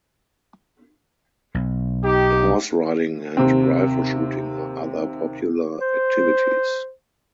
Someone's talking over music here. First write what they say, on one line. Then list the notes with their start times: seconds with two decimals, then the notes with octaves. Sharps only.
Horse riding and rifle shooting are other popular activities.
1.55 B1
2.04 D#4 G4
3.37 D#2 C3 C4
5.81 C5